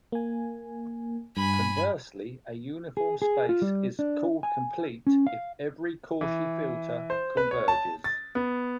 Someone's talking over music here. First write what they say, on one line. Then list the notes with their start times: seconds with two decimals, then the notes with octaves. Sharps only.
Conversely, a uniform space is called complete if every Cauchy filter converges.
0.12 A#3 G#5
1.37 G2 G#5 B5
2.97 G#4
3.22 G#4
3.49 F4
3.62 G3
3.99 D4
4.43 G#5
5.07 C#4
5.27 F5
6.21 E3
7.10 C5
7.37 B4
7.51 C#5
7.68 A5
8.04 A6
8.35 B3